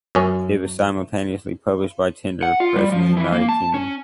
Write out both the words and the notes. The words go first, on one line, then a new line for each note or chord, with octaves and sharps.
It was simultaneously published by Tinder Press in the United Kingdom.
F#2 C#4
F#5
F4
G3
F3
E3
A#3
A5
C#4